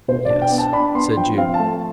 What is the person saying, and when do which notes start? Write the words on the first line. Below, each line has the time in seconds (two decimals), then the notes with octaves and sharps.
"Yes," said Jude.
0.08 B2 C5
0.25 D5
0.30 D4
0.42 G5
0.52 B3
0.58 A5
0.73 D4 B5
0.95 B3 C6
1.17 F3 G5
1.38 C4 F5
1.54 A5
1.60 A3